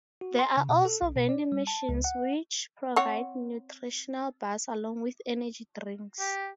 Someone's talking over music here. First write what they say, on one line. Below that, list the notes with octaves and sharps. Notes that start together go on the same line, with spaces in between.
There are also vending machines which provide nutritional bars along with energy drinks.
F#4
C6
C#3
B2
A4
B1
B2
D5
G3
A5
C#2
F#5
C4 C#5 F#5
G4